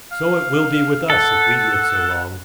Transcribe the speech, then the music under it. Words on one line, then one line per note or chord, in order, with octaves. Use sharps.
So it will be with us, if we live so long.
F5
A4 F#5